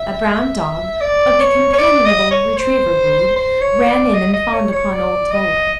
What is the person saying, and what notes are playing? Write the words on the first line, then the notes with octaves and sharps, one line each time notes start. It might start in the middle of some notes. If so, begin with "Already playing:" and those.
A brown dog, of the companionable retriever breed, ran in and fawned upon old Toller.
Already playing: E5
D5
C#5
C#5
D5
D#5
C#5
C5
C5
C#5
D5
D#5
D#5
C#5
C#5
D5
D#5